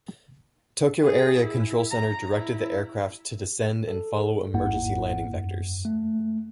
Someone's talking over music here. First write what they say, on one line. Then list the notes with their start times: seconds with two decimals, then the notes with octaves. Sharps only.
Tokyo Area Control Center directed the aircraft to descend and follow emergency landing vectors.
1.03 G#4
1.41 E4
1.91 A#5
2.35 E4
3.88 A4
4.53 G#1 E2 G#2 A#3 E4 F#5
5.32 F#2
5.85 A3